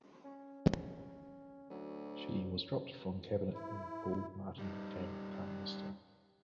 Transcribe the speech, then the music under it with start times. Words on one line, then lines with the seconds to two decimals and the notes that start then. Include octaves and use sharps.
She was dropped from Cabinet when Paul Martin became prime minister.
0.24 C#4
1.70 D2 F#3
3.53 E4
4.59 G3 D#4